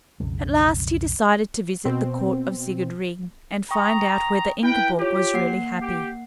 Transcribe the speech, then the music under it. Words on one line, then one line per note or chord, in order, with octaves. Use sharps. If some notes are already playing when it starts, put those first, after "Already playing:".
At last he decided to visit the court of Sigurd Ring and find out whether Ingeborg was really happy.
B1 F2 C#3 G#3
B2 C4
G5 A#5 C#6 D#6
E4 B4 G5
F4 G4 C#5
A#3 F#5 C7
G4